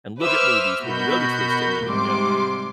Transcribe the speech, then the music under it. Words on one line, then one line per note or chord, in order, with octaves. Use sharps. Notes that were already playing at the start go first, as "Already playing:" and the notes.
and look at movies where you know the twist ending and go
B4 C5 E5 D6 E6 F6
B2 F#4 A#4 B5 G6
G#2 C3 G3 C6 D6